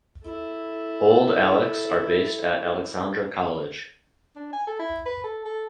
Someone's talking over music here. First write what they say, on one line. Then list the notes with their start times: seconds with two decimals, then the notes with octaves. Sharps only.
Old Alex are based at Alexandra College.
0.24 E4 A4
4.36 D4
4.53 G#5
4.67 A4
4.79 E4
5.06 B4
5.24 A4
5.45 A4